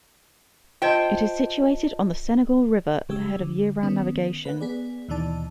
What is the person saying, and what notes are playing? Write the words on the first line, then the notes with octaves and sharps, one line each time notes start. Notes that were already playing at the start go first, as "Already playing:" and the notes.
It is situated on the Senegal River at the head of year-round navigation.
F4 C5 D#5 G5 A5
C#3 G#3 G4 E6
D3
D#3 B3 C#4
B4 F#5
B3 G#4 D5
D#2 B2 E3 D#4 D5 A5